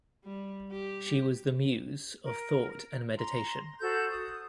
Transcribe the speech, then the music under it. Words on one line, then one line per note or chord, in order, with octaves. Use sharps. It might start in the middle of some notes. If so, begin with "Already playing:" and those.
She was the muse of thought and meditation.
G3
G4
A#4
A#5 C6
F#4 A4 C5 G6
D#6